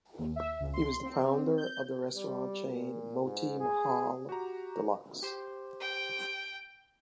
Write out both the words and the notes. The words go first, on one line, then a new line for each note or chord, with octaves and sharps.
He was the founder of the restaurant chain Moti Mahal Delux.
D#2
E5
C#2
C6
C4
G6
G3
A#2
G#2
G#4
F#4 G4 A#5
G4 C5
G5